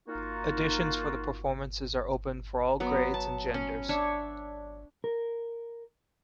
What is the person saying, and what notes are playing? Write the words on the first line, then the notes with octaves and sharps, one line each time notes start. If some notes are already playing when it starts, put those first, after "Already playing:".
Auditions for the performances are open for all grades and genders.
A#3 D#4 F4 F#4
F#3 B3
A5
C#4
D4 C#5 E5
A#4